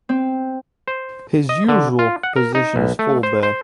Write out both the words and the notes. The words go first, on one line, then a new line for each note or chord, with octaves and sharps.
His usual position is full back.
C4
C5
D#5
D3
F4
F#5
A#4
D#4
B1
A3
C5
C5